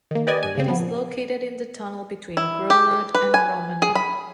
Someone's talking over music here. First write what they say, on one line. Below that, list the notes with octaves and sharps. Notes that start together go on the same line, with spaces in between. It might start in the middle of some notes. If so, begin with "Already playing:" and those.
It is located in the tunnel between Grorud and Rommen.
D#3 A#3
G4 B4 D5 D#5 G#5
G2 G#5
G2 C#3 C4
F3 B3
A#2
E4
G4
B4
G#5
G#4
B5